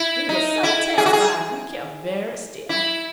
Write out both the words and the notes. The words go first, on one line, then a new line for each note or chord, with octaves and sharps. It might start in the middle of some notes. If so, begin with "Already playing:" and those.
We were so terrified we kept very still.
Already playing: E4
D#4
E4
G#4
F#4
G#4
E4